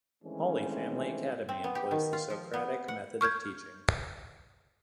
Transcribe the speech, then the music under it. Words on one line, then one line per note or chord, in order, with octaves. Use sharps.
Holy Family Academy employs the Socratic method of teaching.
D#3 E3 G#3 A3 C4 C#4
C4
B3
G4
D#3
F4
F3
B3
F#5
C#6 F6 G6 G#6